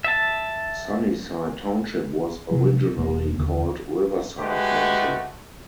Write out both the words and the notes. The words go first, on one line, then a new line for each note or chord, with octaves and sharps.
Sunnyside Township was originally called Riverside Township.
E5 A5
C3 F3 F#3
E1 A#3
D#2 D3
G#3 A3 F#4 G4 B4